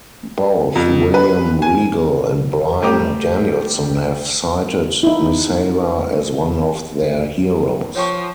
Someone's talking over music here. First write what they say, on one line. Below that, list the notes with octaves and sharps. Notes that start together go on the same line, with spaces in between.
Both William Regal and Bryan Danielson have cited Misawa as one of their heroes.
F2
B4
G#5
A2 G3 G5 A#5 D6
D#4 E4
F3 C#5 G5 C#6